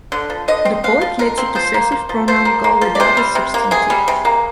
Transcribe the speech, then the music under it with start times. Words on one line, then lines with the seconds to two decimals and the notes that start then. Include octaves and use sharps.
The poet lets a possessive pronoun go without a substantive.
0.12 D3
0.30 F3
0.48 D3 D#5
0.65 C4
0.84 D3 F5
1.01 F3
1.19 D3 A#4
1.38 C4
1.55 F3 C5
1.74 A#3
1.92 A#3
2.09 F3
2.28 F3 C5
2.45 A#3
2.64 A#3
2.81 F3
2.95 D5
3.00 C3 C5
3.17 G3
3.35 C3
3.54 A#3
3.71 C3 G#4
3.90 G3
4.08 C3
4.25 A#3